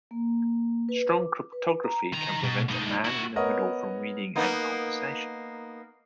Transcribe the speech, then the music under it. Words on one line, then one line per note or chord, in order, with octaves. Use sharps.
Strong cryptography can prevent a man in the middle from reading a conversation.
A#3
B4
D6
B4
A#5
D#3 A#5
B2
A2 D#4
E4 F#4
B3 A#4 C#5 D#5 F#5
A#3 B3 D#4